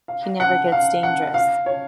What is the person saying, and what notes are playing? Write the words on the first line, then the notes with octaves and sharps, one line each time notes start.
He never gets dangerous.
F5
F#5
F5
F#5
F5
C#5